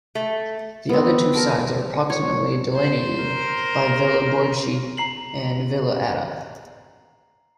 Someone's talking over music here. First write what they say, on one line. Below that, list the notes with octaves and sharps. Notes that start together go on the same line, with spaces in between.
The other two sides are approximately delineated by Villa Borghese and Villa Ada.
A3
B3 C4
A#4 A5 D6
C#5
C5
A#4
A#5 C7 F#7